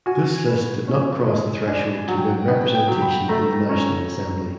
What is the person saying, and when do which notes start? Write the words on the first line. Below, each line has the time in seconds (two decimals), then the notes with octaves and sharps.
This list did not cross the threshold to win representation in the national assembly.
0.06 F#4 G#5
0.47 B4
0.87 C#4
1.28 G#3
1.67 D4 G#5
2.08 F#3 F#5
2.18 G5
2.28 F#5
2.48 B3 G5
2.75 G5
2.88 F#3
3.02 B5
3.29 A3 A#5
3.69 C#4